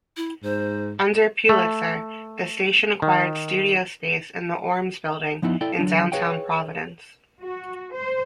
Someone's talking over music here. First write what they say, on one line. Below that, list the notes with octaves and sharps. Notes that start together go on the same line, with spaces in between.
Under Pulitzer, the station acquired studio space in the Orms Building in downtown Providence.
E4
G#2 C5
A3
D#3
F3 B3 D#4 E4
E4 A4 D5 G5
D3 F#3 D4
G#4 B4 C#5 F5 G5
F#4
C5